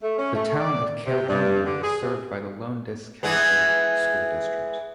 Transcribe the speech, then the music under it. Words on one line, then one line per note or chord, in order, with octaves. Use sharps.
The Town of Caledonia is served by the Lowndes County School District.
A3
C#4
A3
D5
C3
G2
D3
G#4
C3
E3 G#3 B3